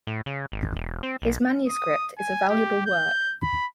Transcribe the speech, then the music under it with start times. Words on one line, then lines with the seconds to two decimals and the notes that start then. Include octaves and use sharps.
His manuscript is a valuable work.
0.07 A2
0.26 C#3
0.52 G#1
0.76 E1
1.03 C4
1.22 B1
1.68 D#6
2.18 G#5
2.49 G4
2.86 G6
3.42 B5